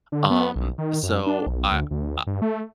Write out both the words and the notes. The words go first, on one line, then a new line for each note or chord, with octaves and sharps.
Um, so I I
D3
B3
B1
D#3
F#2
D4
B1
D2
D2
G2
A3